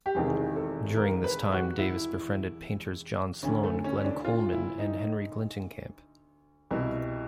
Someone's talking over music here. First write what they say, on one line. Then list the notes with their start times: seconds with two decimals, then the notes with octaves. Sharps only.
During this time, Davis befriended painters John Sloan, Glenn Coleman and Henry Glintenkamp.
0.06 G4
0.15 E1 E2 C3 D#3 G#4
0.56 A4
0.97 A#4
1.24 B4
1.52 F#4
1.79 E4
3.43 D2 D3 C#4
3.63 A3
3.84 C#4
4.01 C#4
4.04 D4
4.25 F4
4.52 E4
4.79 D#4
6.71 C2 B2 E4